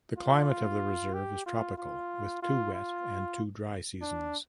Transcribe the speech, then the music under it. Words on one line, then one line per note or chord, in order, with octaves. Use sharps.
The climate of the reserve is tropical with two wet and two dry seasons.
F4
G4
F4
F4
F4
F4
D4